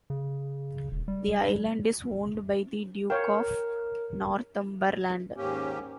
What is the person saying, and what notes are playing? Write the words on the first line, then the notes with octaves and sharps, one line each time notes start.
The island is owned by the Duke of Northumberland.
C#3
E1
G3
A#4 C#5 F5 G5
D#2 G#2 A#3 C#4 G4